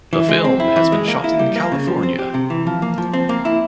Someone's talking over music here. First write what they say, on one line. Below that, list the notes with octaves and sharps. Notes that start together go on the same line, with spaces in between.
The film has been shot in California.
E3
G#3
C4
E4
E3
G#3
A#3
E4
G3
A#3
C#3
F3
C4
G4
C3
E3
F3
A#3
F3
C4
A#3
E4